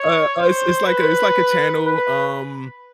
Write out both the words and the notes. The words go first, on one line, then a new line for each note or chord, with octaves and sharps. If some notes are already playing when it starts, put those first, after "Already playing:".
Uh, uh, it's it's like a it's like a channel, um
Already playing: C#5
C5
B4
B4